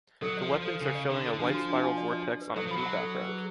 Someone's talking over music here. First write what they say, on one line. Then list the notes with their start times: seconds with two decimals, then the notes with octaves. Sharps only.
The weapons are showing a white spiral vortex on a blue background.
0.22 F#3 A4
0.37 F3 D5
0.51 D5
0.61 F3 A4
0.81 C#3 A4
0.95 D5
1.10 D3 F#5
1.25 A4
1.34 D3
1.39 F3 D4
1.54 F#4
1.68 D4
1.83 G#5
1.98 D5
2.13 D5
2.27 D5
2.41 B4
2.56 F#3 A4
2.67 F3 B5
2.77 F#3
2.86 F#5
3.00 A4
3.15 B4
3.29 G#4